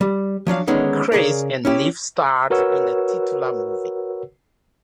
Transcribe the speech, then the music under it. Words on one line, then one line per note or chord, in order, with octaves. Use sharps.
Chris and Neef starred in the titular movie.
G3
F3 F#3 D4 F5
D3 D#3 G#3 B3 C#4 D#4
C#3 G#4 A#4 D5
C#4 E4 G4
F#4 A#4 B4 C#5 F#5 E6